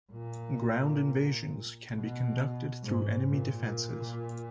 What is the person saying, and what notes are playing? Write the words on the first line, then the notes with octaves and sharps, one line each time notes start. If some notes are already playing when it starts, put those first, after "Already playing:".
Ground invasions can be conducted through enemy defenses.
A#2
B2
G#2
A#2